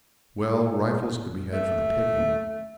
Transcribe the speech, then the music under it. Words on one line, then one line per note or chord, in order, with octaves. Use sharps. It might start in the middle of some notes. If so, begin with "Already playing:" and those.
Well, rifles could be had for the picking.
A3